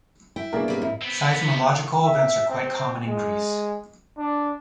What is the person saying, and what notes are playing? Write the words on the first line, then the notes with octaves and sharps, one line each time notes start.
Seismological events are quite common in Greece.
E4 G5
B2 A#3 B3 D4 G#4 A#4
G3 C4 C#4
G#2 E4
B3 C4
E5
C4
G#3
D4